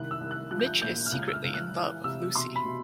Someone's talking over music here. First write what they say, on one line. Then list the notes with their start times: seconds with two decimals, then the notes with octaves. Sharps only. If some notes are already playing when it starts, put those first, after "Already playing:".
Mitch is secretly in love with Lucy.
Already playing: C2 D#3 F#6
0.11 E6
0.21 C2
0.31 F#6
0.51 F3 F#6
0.59 G6
0.66 F#6
0.82 A#2 G6
1.06 F6
1.12 C#2 F#6
1.28 E6
1.33 F6
1.43 C#2
1.54 F#6
1.74 E3
2.04 C3 E6
2.35 B2 C6
2.56 B5
2.65 B2